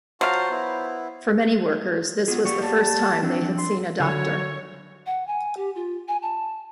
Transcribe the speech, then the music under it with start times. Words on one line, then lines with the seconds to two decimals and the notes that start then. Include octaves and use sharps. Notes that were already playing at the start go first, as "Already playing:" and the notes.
For many workers, this was the first time they had seen a doctor.
0.21 F#3 F4 F#4 C5 F5 A5
0.51 B3 E4
2.28 B3 F4 G#4
2.45 A#3 G4 D5 C#6
2.63 A5
3.23 F3 C4 D4
3.58 C6
3.99 D3 F#3 C#5
5.06 F#5
5.27 G#5
5.57 G4
5.75 F4
6.08 G#5
6.22 A5